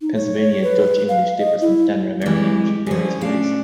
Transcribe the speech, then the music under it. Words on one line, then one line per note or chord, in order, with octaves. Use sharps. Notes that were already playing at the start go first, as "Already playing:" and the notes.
Pennsylvania Dutch English differs from standard American English in various ways.
D#4
C#5
B4
F5
D#5
E4
F2 E3 G#3 G4
D3 E3 F3 C#4 G#4
A#2 A3 C#4 D4 F5